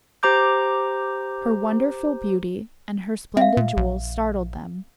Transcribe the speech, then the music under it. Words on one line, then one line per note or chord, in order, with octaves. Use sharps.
Her wonderful beauty and her splendid jewels startled them.
G4 C5 A#5 D6 G6
C4 E5 F5
A#2
A#1